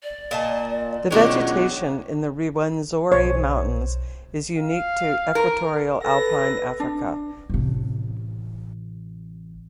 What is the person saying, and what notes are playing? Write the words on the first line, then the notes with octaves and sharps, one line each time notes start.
The vegetation in the Rwenzori Mountains is unique to equatorial alpine Africa.
D5
A#2 D#5 A5
C#2 B2 D#3 F#3 G#3 D4 C#5 D#5
B1 C5 C#5
F5
A#4
A4 B4 A#6
D4
A1 C3